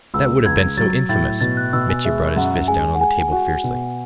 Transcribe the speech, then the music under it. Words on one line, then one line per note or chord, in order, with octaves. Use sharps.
"But that would have been so infamous!" Mitya brought his fist down on the table fiercely.
C#2 E6
C#2 G#6
F#3 A6
A2 A6
B2 A6
F#6
B2 E6
G#5
G#3 E5
F#2 F#5
G#3 G#5
F#5
G#3 G#5
G#5
F#4 F#5
B2